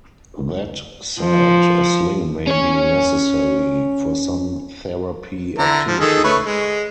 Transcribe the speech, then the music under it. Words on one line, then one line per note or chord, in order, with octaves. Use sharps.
That said, a sling may be necessary for some therapy activities.
F3
C#4 C#5
D3 E4 A#5
F3
D#3 G#4 A4
A3 B4 C#5
G#3